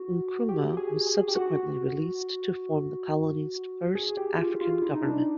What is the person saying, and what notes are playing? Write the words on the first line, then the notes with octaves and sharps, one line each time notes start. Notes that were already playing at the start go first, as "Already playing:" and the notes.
Nkrumah was subsequently released to form the colony's first African government.
Already playing: F#4
G4
G#4
G#4
G4
F#4
G#4
G4
F4
F4
E4
D#4
D4